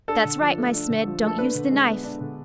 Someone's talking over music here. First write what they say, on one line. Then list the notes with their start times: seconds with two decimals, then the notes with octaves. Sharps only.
That's right, my Smid, don't use the knife!
0.08 D4 A4
0.25 D3
0.41 F3
0.57 A3
0.74 D4
0.89 D3
1.07 F3
1.22 A3 A4
1.38 D4 B4
1.55 D3
1.71 G#3
1.87 B3
2.04 D4
2.21 D3